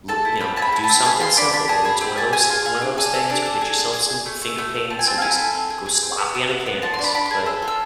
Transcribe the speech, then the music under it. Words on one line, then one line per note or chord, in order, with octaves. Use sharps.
lo you know, do something simple, whether it's one of those one of those things or get yourself some finger paints and just go sloppy on a canvas. But
A4 A5
E4
C4 B5
G#4 A5
B5
E4
A5
C4
G#4 B5
F4 C6
D4 B5
D4 B5
G#4 A5
G#4 B5
C4 B5
G#4 A5
G#4 G#5
F4
G#4 F5
D4
A4 G#5
A4
D4
A4
G#4
G#4
G#4
G#4
A3
A3
A3
A3
C4 A5
G#5
C4 A5
F5
E4 G#5
A4
C4
G#4
G#4
C4
B3
B3
B3
B3
F4 A5
C6
D4
B5
D4 B5
G#4 C6
A4
F4
E6